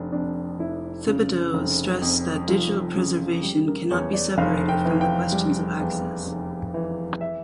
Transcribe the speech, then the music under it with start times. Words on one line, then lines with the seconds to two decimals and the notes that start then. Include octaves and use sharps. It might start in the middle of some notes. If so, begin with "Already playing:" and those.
Thibodeau stressed that digital preservation cannot be separated from the questions of access.
Already playing: F1 D4
0.12 F2 D4
0.59 F1 E4
1.07 C#3
1.54 F1
2.02 F2
2.48 F1 F4
2.96 C#3
3.43 G3
3.67 A#4
3.91 E2 C#5
4.13 D5
4.38 F1 F5
4.69 G5
4.85 E3
5.01 G5
5.32 G3
5.80 E2
6.27 F1
6.74 E3
7.21 E5